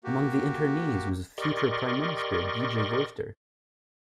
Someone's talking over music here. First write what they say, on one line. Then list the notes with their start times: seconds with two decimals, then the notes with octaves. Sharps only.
Among the internees was future prime minister B. J. Vorster.
0.04 A#3 F#4 G4
1.38 G4 A#4 D5 D#5 C6 C#6